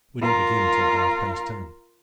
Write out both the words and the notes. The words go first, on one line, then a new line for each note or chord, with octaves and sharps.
We don't begin till half past ten.'
F4 A#4